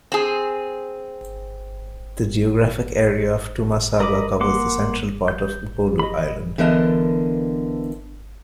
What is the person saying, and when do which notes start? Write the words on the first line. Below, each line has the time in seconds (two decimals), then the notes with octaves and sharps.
The geographic area of Tuamasaga covers the central part of Upolu island.
0.12 C4 G#4
4.00 A#4 D#5 B5 D6
4.41 A#3 F#5 C6 D6
5.28 G6
5.99 D#5 B5
6.58 D3 E3 B3 A#4 D#5 A5